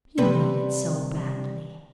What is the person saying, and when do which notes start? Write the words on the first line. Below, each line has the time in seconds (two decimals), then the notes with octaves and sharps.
You need it so badly....
0.18 C3 G3 B4